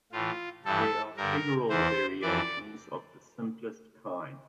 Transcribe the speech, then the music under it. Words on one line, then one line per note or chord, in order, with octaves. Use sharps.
They are figural variations of the simplest kind.
A2 E3 F4
G2 E3 A4
G2 D3 A#4
E2 E3 C5
F2 E3 D5